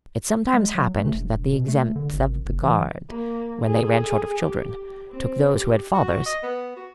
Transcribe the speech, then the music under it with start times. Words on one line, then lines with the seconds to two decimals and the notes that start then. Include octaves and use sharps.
It sometimes happened that the exempts of the guard, when they ran short of children, took those who had fathers.
0.53 G#3
0.75 F#3
0.99 A3
1.14 E1
1.53 B2
1.68 A3
1.96 D3
2.13 G#1
2.46 F#1
2.62 E3
3.09 A#3
3.63 G#4 A4
4.42 G4
5.10 C4
5.53 G4
5.93 F#4
6.26 D#5
6.43 B3
6.76 F#4